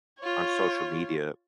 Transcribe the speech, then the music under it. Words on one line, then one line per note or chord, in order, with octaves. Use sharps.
on social media,
F4 C#5